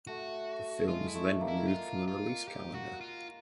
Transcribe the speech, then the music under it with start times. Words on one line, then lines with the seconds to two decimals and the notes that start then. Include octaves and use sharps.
The film was then removed from the release calendar.
0.07 A3 F#4
0.88 G#3 F4
1.08 E4
1.14 A3
1.41 A#3
1.48 E4
1.68 F4
2.08 F4
2.48 G4
2.74 F#4
3.01 F4